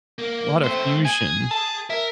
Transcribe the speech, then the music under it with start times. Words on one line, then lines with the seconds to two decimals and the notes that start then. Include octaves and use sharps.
lotta fusion.
0.19 A#3
0.64 A3 C4 C5
1.05 G#4 G#5
1.51 A5
1.90 A#4 E5